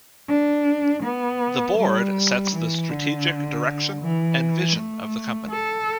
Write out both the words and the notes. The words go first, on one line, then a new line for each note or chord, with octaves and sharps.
The Board sets the strategic direction and vision of the company.
D4
B3
G3
E3
D3
E3
A3
A4